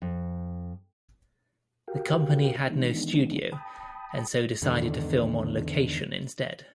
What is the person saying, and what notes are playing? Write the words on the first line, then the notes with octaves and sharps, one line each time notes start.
The company had no studio and so decided to film on location instead.
F2
F#4 G4 A#4 F5 G5
D#3 E3 G#3 B3 D4 D#4
G5 A5 B5 D#6
E2 G#2 D3 D#3